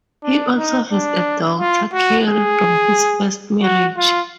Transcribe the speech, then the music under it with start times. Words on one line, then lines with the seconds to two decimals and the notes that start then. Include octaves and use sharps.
He also has a daughter, Cary, from his first marriage.
0.23 D4
0.57 D#4
0.91 D4
1.60 F4
1.93 F#4
2.27 G#4
3.63 F#4
3.97 F4